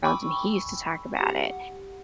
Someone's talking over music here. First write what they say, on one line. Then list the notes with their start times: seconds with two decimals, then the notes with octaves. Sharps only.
Thrones," and he used to talk about it.
0.03 G5 G#5 B5 C#6 D6 E6
1.16 G4 F#5